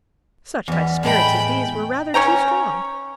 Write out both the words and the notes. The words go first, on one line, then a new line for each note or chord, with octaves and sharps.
Such high spirits as these were rather too strong.
E2 G3
A2 G#3 A3 G5 B5
C#4 C#5 G5 A#5